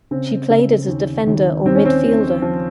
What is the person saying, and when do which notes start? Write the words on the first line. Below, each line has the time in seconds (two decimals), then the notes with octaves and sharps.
She played as a defender or midfielder.
0.11 C#3 C4
0.50 C#3
0.88 D#2
1.27 D#2
1.65 D#2 C4
1.75 C#4
1.85 C4
2.04 D#2
2.42 F3